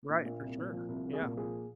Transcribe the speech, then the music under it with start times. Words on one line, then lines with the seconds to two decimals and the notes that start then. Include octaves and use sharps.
Right, for sure. Yeah.
0.09 A#1
0.25 A#2
0.41 C2
0.57 A#2
0.73 F3
0.89 C2
1.05 C2
1.13 G#4
1.21 A#2
1.37 F3 G#4